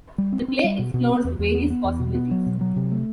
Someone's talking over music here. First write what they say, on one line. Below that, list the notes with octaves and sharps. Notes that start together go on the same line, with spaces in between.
The play explores various possibilities.
G3
C4
C4
G3
B2
B2
C4
E2
E2
B3
B3
E2
B2
B3
F#3
B2
F#3
C3
A3